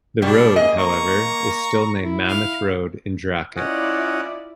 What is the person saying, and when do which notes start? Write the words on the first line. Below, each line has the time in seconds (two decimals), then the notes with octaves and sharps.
The road, however, is still named Mammoth Road in Dracut.
0.22 B2 G3 D4 D5
0.56 A#3 G#4 D#5
0.79 A#5 C#6
2.00 E4
2.28 F5
3.56 C#4 E4 F4 D5 D#5 F#5